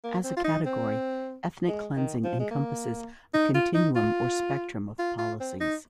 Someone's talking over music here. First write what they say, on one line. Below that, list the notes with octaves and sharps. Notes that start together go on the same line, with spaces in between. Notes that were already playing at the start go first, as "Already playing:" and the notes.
As a category, ethnic cleansing encompasses a continuum or spectrum of policies.
A#3
C4
F4
D#4
C4
G#3
D#3
F3
G#3
A#3
D#4
F4
D#4
F4
F4
F4
C4
D#4